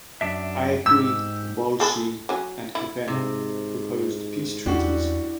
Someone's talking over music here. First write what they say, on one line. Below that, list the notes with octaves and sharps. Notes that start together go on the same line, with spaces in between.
Aequi, Volsci, and Capena proposed peace treaties.
F#2 D4 E5
G#2 G4 E6
G#3 A4 B5
F#3 C#4
E4
G#2 C3
E2 G3 C#4 D4 E4 F#4